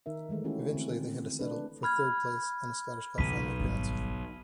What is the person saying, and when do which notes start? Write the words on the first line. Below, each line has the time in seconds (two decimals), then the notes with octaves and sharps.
Eventually they had to settle for third place and a Scottish Cup final appearance.
0.06 D#3 D#4 A#4 E5
0.29 D#3 E3 G#3 A3
0.44 A3 C#4 E4 F#4 G4
0.73 D3 E3 C4
1.39 A3 D4 B4
1.83 B5 F6 G#6
3.18 B1 C#3 E3 B6 D#7
3.60 G#1 G3